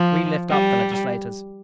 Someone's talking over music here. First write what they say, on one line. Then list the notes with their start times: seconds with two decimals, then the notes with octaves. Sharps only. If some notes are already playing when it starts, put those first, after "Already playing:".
We lift up the legislators.
Already playing: F3
0.49 G3